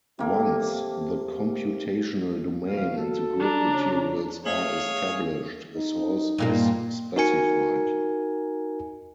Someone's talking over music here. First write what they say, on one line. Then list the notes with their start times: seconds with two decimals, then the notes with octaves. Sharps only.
Once the computational domain and the grid materials are established, a source is specified.
0.19 C3 A#3 A4
2.68 F#1 B2 F5
2.96 F#4 A4
3.40 D4 A#5
3.70 C#3 C#5 D5
4.45 A3 G#4 C#5 E5 F5 G#5 F#7
5.76 D#4
6.38 G2 A#2 A#3
7.16 D#4 F#4 A#4 G#5 C#7